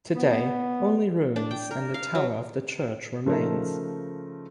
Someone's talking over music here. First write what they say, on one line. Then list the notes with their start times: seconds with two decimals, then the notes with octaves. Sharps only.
Today only ruins and the tower of the church remains.
0.14 B3
1.36 D4
1.51 G5
1.71 A#4
1.94 F5
2.15 F#3
3.25 C#3 F3 A3 D#4 A#4